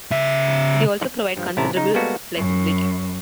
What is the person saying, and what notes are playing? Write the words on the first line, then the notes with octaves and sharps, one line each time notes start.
They also provide considerable flexibility.
C#3 E5
G2 F3
A1 C3 C#4 E4 A5 A#5
C#3 D#4
G3 G#3 A#3 B3 F#4 A4
F#2